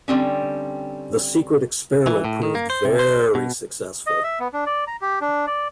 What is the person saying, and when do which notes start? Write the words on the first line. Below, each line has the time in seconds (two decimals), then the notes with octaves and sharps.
The secret experiment proved very successful.
0.08 D3 G3 C4 C#4
2.07 E3
2.24 A2
2.43 D#3
2.55 A#3
2.70 C5
2.85 C3
2.99 C5
3.35 B2
4.07 D#5
4.23 E5
4.40 B3
4.53 D4
4.66 D5
4.87 A#5
5.01 G4
5.21 D4
5.47 D5